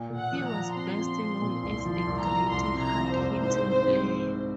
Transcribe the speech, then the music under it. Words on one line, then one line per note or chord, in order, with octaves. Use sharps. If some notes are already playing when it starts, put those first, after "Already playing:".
He was best known as a gritty hard-hitting player.
Already playing: A#2
A#2
F#5
F3
A#5
F3
C4 C6
F3
C4
A#2
C2 C6
F3
C6
C2
A#5
F3
C2 C6
C3
A#5
F3
C5
C2
G#2 C5
C4
C5
G#2